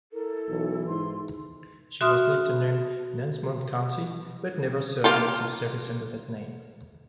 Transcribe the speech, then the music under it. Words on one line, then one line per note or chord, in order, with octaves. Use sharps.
She was later named "Nansemond County", but never saw active service under that name.
E4 A4 A#4
B1 E3
G#2 C6
F#4 E5 C6 D#6 F6
A#3 F4 G4